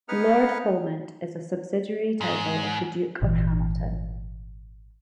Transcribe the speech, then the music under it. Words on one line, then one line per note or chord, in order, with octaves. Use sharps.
Lord Polmont is a subsidiary title of the Duke of Hamilton.
B3 D#4 G#4 B4 F#5 F6
G#2
G#1 A#2 E3